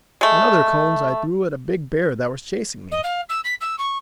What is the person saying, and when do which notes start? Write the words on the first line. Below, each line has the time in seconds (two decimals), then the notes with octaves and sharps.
And other cones I threw at a big bear that was chasing me.
0.21 G#3 A3
2.91 D#5
3.03 F5
3.29 E6
3.44 B6
3.61 E6
3.78 C#6